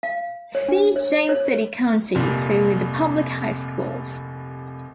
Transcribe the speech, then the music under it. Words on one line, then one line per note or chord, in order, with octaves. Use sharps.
See James City County for the public high schools.
F5
C#5
D4
C#5
C#5
F1 C2 A#2